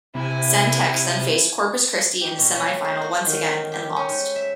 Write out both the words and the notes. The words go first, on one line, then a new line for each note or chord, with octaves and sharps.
CenTex then faced Corpus Christi in the semifinal once again, and lost.
C3 E4 G#5
G4
B2
C#4
A3
C5
F#4
D#3
C4
G4
C#4
G#2
E5